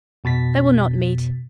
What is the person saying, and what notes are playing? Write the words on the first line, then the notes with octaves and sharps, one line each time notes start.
They will not meet!
F2 B2 A6 B6